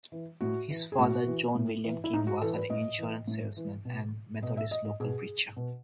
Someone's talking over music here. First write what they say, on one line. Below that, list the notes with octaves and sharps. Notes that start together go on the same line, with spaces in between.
His father John William King was an insurance salesman and Methodist local preacher.
E3
A2 F#4
E3
G#4
A2 F#4
E3
A2
E3
E4
A2 D#4
F#4
E3 A4
B4
A2 D#5
E3
A2
E3
B2
B2 D#5
E5
D#5
D#5
B2 G#4
B2